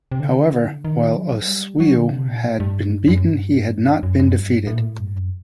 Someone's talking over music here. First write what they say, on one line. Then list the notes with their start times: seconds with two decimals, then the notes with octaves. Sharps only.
However, while Oswiu had been beaten he had not been defeated.
0.12 C3
0.20 D3
0.85 D#3
1.16 F#3
1.48 G3
1.80 F#3
1.97 D3
2.12 C3
2.27 A#2
2.43 A2
2.60 G2
3.08 F#2
3.24 G2
4.03 F#2
4.19 F#2
4.35 G2
4.67 A2
4.74 A#2
4.81 A2
4.99 G2
5.15 F#2